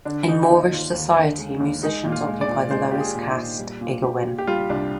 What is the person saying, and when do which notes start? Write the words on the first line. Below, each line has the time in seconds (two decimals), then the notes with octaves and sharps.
In Moorish society musicians occupy the lowest caste, iggawin.
0.05 D3 D4
0.28 D3 D#4
0.49 D#2 D#4
0.72 D#2 F4
0.94 D#2
1.16 D3
1.38 G#3
1.60 D#2
1.83 G#3 D#4
2.05 A#2
2.12 F4
2.27 G#3
2.41 D5
2.48 A#2
2.71 G#3 C5
2.91 A#2 G4
3.00 G#4
3.15 A#2
3.30 D#4
3.37 A#2
3.59 G3
3.81 A#2
4.03 A#2 G4
4.25 A#2
4.38 G4
4.47 G3 F4
4.69 C2 D4